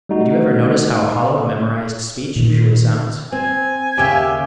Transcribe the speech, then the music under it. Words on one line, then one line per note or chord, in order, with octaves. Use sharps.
Did you ever notice how hollow a memorized speech usually sounds?
G3 A3 D#4 F#4
A#2 D#3
C4 G#5
D#2 C#3 G4 E5